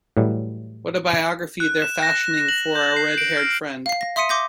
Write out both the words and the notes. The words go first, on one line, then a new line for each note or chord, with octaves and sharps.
What a biography they're fashioning for our red-haired friend!
A2 E3 F#3 G3
F#6
E7
A#6
F#7
G6
C7
D7
F6
F5 C7
A#6
E5 C6 D#6 B6 C#7 D#7
C6 D6 G6 A#6